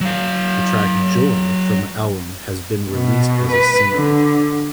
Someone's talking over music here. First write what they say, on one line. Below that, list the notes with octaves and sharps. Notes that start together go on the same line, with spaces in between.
The track "Joy" from the album has been released as a single.
F#3 F5
B2
B4
D3